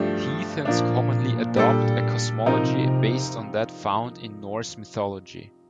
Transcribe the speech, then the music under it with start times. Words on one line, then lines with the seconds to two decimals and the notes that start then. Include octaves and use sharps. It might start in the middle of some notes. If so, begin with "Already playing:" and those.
Heathens commonly adopt a cosmology based on that found in Norse mythology.
Already playing: G2 F3 A3 D4 G4
0.65 A#2 F3 A#3 D4
1.56 G3 D4 A4
2.45 C3 F3 C4 D#4 A#4